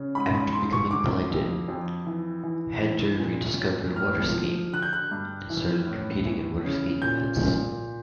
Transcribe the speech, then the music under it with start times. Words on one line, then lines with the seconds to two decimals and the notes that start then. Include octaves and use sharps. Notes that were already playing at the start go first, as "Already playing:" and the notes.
After becoming blinded, Henter rediscovered waterskiing, and started competing in waterskiing events.
Already playing: C#3
0.15 G#2 B5
0.35 B5
0.53 G#2 C6
0.73 C#6
0.91 D3 D6
1.30 F2
1.68 F2
2.06 E3
2.43 E3
2.82 E3
3.20 A#2
3.59 F#3
3.96 A2 F6
4.34 F3
4.72 D3 F#6
4.82 G6
4.93 F#6
5.11 G2
5.50 E3
5.87 A2
6.25 E3
6.64 C#3
7.02 A#2 G6
7.41 A#2